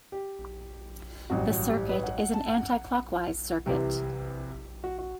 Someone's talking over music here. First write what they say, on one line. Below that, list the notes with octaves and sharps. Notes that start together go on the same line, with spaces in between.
The circuit is an anticlockwise circuit.
G4
A1 G2 F#3 F#4
F#4
G4
B4
F#5
F#5
A5
F#5
C2 C3 E3 G4
F#4
F#4